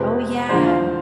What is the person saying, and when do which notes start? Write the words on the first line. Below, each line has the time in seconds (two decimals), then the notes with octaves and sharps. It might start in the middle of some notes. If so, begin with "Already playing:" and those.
Oh, yeah.
Already playing: F2 C3 G#3 C4 B4
0.49 E2 D3 F3 G#3 D4 C5
0.66 F5